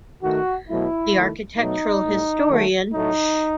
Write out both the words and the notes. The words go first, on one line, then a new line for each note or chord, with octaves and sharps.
The architectural historian Sh.
D#3 A3 F#4
B2 F#3 A3 E4
D#3 A3
B2 F#3 A3 D#4
A2 G3
D#3 F#3 A3
A2 F#3 A3 D#4